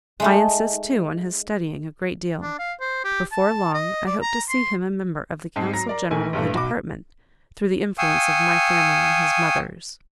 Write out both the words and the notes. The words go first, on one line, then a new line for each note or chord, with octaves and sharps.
I insist too on his studying a great deal. Before long I hope to see him a member of the Council General of the Department, through the influence of my family and his mother's.
G#3 A3 D#4
D4
F5
C5
G4
A5
D#5
D5
A#5
C6
G#2 C4 A5 C7
F#3 A#5 A#6
A#4 D5 A#5
A#1 D#3 A3 A#4 G#5
A#1 G2 E3 A3
B1 F#4 B5 D6
F5 G5 G#5 C#6 D#6 E6